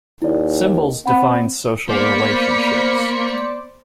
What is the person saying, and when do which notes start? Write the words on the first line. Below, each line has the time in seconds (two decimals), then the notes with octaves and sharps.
Symbols define social relationships.
0.22 D#2 E4 D5
0.65 D#5
1.06 C4 F#5 B5
1.89 A#3 B3 C5 D5 B5 D6 B6 C#7